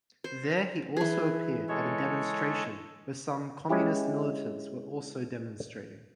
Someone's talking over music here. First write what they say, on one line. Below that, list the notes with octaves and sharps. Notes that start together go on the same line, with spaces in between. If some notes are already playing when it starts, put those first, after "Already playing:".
There he also appeared at a demonstration where some Communist militants were also demonstrating.
C5
E3 G#4
G#3 A4 C#5
G#3 C#4 E4 G4